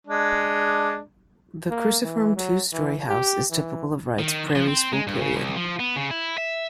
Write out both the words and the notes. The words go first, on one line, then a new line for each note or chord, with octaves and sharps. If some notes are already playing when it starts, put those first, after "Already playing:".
The cruciform two-story house is typical of Wright's Prairie School period.
G#3 D4
A#3
E3
F#3
E3
G4
E3
D#3
F3
C4
G#3
G2
C#3
C2
F3
B3
C#3
E4
E5